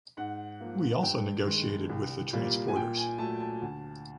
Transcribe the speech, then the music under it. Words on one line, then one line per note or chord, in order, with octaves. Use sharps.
We also negotiated with the transporters.
G#2 F#5
F3 A#3
G2 G5
D#3 G#3
C2
A#2 G3 A#3
G#5
A#2 G5
G#5
F#3 A3 A5
A5
D2